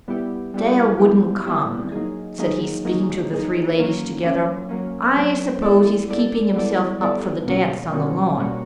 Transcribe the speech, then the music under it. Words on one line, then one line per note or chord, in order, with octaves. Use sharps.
"Dale wouldn't come," said he, speaking to the three ladies together, "I suppose he's keeping himself up for the dance on the lawn."
G3 B3 E4 G4
G3 B3 E4 G4
G3 B3 E4 G4
G3 B3 E4 G4
F#3 A#3 D#4 G#4
F#3 A#3 D#4 G#4
F#3 A#3 D#4 G#4
F#3 A#3 D#4 G#4
F#3 A#3 C#4
F#3 A#3 C#4
F#3 A#3 C#4
F#3 A#3 C#4
G3 B3 E4 A4 D5
G3 B3 E4 A4 D5
G3 B3 E4 A4 D5
G3 B3 E4 A4 D5
B2 G3 A#3 C#4 F#4
B2 G3 A#3 C#4 F#4
B2 G3 A#3 C#4 F#4